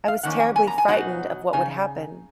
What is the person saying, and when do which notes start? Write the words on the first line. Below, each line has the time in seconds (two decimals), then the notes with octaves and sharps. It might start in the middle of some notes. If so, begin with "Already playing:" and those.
I was terribly frightened of what would happen.
0.08 F5
0.23 F2 D#3 A#3 C#4 F#5
0.40 G#5
0.56 G#5
0.67 A#5
0.78 G#5
0.88 B2 F#3 B3 D#4 F#5
1.53 C#3 G#3 D#4 G#5